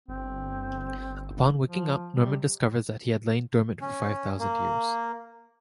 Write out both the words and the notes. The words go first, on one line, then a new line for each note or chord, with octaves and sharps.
Upon waking up, Norman discovers that he had lain dormant for five thousand years.
G1 C4
F3
C3 G3
C#4
A#3